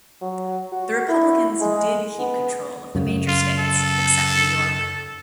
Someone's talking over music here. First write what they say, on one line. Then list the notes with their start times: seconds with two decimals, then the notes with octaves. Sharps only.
The Republicans did keep control of the major states except New York.
0.22 F#3
0.72 F#4
1.09 E4
1.61 G#3
2.19 B3
2.95 F#2 C#3
3.28 F4
3.59 A4